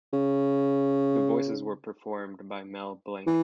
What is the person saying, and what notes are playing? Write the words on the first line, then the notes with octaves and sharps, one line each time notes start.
The voices were performed by Mel Blanc.
C#3
E3